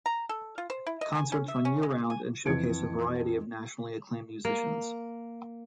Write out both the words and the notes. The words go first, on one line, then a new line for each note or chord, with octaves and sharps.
Concerts run year round and showcase a variety of nationally acclaimed musicians.
A#5
A4
F4
C5
E4
D#5
G#5
C#4
E5
C#4
G#3
G#5
F2 E3 G#6 C#7 D7
A#3